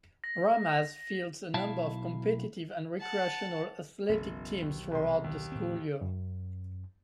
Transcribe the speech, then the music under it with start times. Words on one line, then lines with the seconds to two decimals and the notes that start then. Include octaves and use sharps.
Ramaz fields a number of competitive and recreational athletic teams throughout the school year.
0.24 A#6
1.54 B1 E4 E5 F5 A5
2.99 F#5 A5
4.09 F#1 B1 B2 E3
4.62 D#2
4.91 C2 C6
5.24 D#2
5.52 A2 C4
6.01 F#2